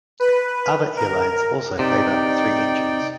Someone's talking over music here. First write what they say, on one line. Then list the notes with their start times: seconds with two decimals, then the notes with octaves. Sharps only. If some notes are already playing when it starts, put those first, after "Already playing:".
Other airlines also favored three engines.
0.20 B4
0.96 A#4
1.79 C3 D#4 D5 G5